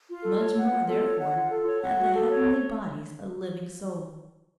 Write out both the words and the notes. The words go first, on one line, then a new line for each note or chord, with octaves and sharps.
Much more, therefore, have the heavenly bodies a living soul.
F4
A4
C#5
F#5
F4
A4
C#5
F#5
F4
A4
C#5
F#5
F#4
A4
C#5